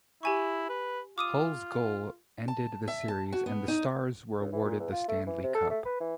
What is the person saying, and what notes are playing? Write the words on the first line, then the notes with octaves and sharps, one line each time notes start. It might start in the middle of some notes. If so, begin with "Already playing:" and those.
Hull's goal ended the series and the Stars were awarded the Stanley Cup.
E4 G4 G#5 C#6
B4
F4 D6 D#6 D#7
A5
E5
A5
F#4
B3
D#4
C#2
E3
A#2
E2
F4
A3
E3
C3
A4
A3
B4
E3